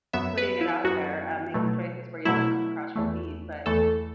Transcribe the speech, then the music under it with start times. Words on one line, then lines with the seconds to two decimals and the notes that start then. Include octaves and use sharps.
putting it out there, um, making choices for you what comes across your feed. But,
0.13 F#2 F#3 B3 E5
0.38 B4
0.61 E4
0.84 F#2 F#3 B3 F#4
1.54 B2 F#3 A3
2.25 B2 F#3 A3 E4
2.96 E2 E3 A3
3.66 E2 E3 A3 A4